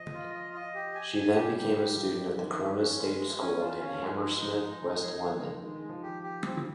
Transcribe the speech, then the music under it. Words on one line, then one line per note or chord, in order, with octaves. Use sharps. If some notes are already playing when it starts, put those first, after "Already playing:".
She then became a student at the Corona Stage School in Hammersmith, West London.
Already playing: F3 D#5
F4
D#5
D#5
G4
G#5
G#5
G4
G3 G4
G4
F3 G4
G4
D#3 G#3
C#4
C#4
G#3
G#3
C#4
F4
C#4
F3 G#3
G#3
D#4
G#3
F3 D#4
G#4
D#4
G#3
D#3 G#3
G#3
F3
G4
G4
G3 C4